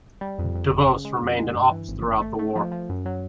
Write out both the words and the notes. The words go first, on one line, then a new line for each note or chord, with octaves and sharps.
De Vos remained in office throughout the war.
G3
F2
F2
G1
C#3
G#3
F2
G#3
G2
E3
G#1
G#1
A3
A3
F3
F3
F#2
F#3